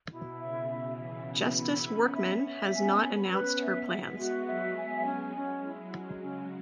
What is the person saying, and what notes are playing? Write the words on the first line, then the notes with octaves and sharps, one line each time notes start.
Justice Workman has not announced her plans.
B2 E4
C#3 E5
C#3 E4
E3 E5
C#3 E4
B3 E4
C#4 B5
B3 E5
E5
C#4 G#5
B5
B4
B3 E5
E5
G#3
F#4
F#3 E5
B3 G#5
B3 C#4
G#3 C#4
E4
F#3
C#4
C#3 C#4